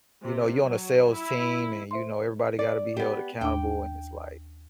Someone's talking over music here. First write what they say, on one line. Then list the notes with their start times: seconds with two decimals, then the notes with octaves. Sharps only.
you know, you're on a sales team and you know, everybody got to be held accountable, and it's, like
0.21 C3
0.64 F#3
1.13 E4
1.91 C5 E5 C6
2.59 D5
2.97 B3 G4
3.41 D#2 D4 G5 D6